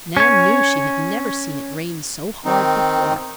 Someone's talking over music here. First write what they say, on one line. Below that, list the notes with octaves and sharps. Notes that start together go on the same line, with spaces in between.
Nan knew she had never seen it rain so hard before.
C#4 C#5
D#3 C4 D#4